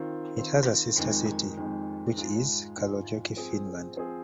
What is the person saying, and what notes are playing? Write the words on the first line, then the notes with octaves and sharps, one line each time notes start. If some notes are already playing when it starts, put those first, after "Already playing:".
It has a sister city, which is Kalajoki, Finland.
Already playing: D#3 C4 F4
D#3 C4 F4
F2 D#3 G#3 D#4
F2 D#3 G#3 D#4
G#2 G#3 F4
G#2 G#3 F4
F3 C4 G#4
F3 C4 G#4